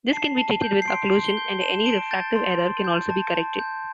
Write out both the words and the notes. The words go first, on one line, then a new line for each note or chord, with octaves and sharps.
This can be treated with occlusion, and any refractive error can also be corrected.
A5 C7
A5
G6
C7
C6 D7
C6
G7
G6
A5 E7
A5 D7
G6 A6
C6
C6
G6
A5
A5
G6